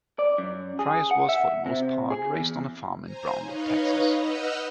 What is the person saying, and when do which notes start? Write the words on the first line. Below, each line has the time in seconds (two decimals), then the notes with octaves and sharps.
Price was for the most part raised on a farm in Brownwood, Texas.
0.19 D5
0.38 F#2
0.79 G#4
1.11 F#5
1.29 E5
1.66 C3
2.10 G#4
2.35 E2
3.03 C5 G#5 A#5
3.39 D#4 B4 C#5 D#5 F5
4.13 B4 D#5 F#5 E6 F6 G6